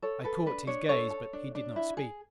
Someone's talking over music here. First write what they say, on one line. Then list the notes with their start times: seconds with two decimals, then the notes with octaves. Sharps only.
I caught his gaze but he did not speak.
0.02 A4 C#5
0.24 A4 B4
0.46 D4 B4
0.67 D4 C#5
0.89 A4 C#5
1.10 A4
1.33 D4
1.55 D4
1.76 E4
1.97 G#4